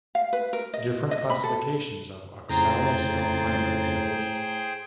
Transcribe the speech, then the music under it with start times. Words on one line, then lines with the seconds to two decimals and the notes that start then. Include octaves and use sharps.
Different classifications of "Oxalis alpina" exist.
0.15 F5
0.33 B4
0.53 A#4
0.74 D#5
1.11 D#5
1.30 B5
1.44 A4
2.49 F2 A2 C#3 G#4 C5 G5 A#5 A6